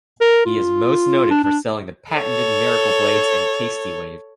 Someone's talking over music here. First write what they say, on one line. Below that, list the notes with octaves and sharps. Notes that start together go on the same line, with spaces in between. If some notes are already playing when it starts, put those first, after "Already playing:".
He is most noted for selling the patented Miracle Blades and the TastiWave.
A#4
F4
D4
D4
A4 C#5